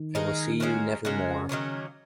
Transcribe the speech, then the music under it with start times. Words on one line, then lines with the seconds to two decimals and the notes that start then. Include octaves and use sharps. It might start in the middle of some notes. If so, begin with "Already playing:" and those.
I will see you never more.
Already playing: D#3
0.15 G#3 D#4 A#4
0.60 G#3 C#4 F#4 A#4
1.05 C#3 G#3 C#4 F#4 A#4
1.49 D#3 F#3 A#3 C#4